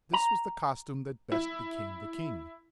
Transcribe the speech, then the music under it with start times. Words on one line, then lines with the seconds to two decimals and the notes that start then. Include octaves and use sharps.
This was the costume that best became the king.
0.13 A#5
1.32 E4